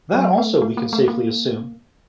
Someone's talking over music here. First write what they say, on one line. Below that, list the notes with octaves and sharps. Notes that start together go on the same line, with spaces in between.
That also we can safely assume.
F#3
A3
A3
A#3
A3
A#3